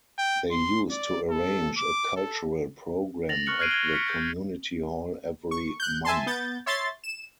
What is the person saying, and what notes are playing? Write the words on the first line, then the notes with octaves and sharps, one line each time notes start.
They used to arrange a cultural programme at the Community Hall every month.
G5
C6
D5
A4
D6
A4
A6 A#6 F7 F#7
C#6 F6 F#6 C#7 F#7
F6 F#6 G#6 C7 D7 D#7
G#6 G7
F6 B6 C#7 D7
G6 A6
C#6
F#6 G6
E5 G#5 A5 C6
B3 G6 A6
C#5 E5 C6 A6
E7